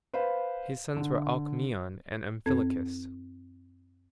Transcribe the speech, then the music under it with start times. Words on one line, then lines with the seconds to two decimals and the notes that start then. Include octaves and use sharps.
His sons were Alcmaeon and Amphilochus.
0.13 B4 C5 F5 B5
0.97 D3
2.46 F#2 C4 A4 G#6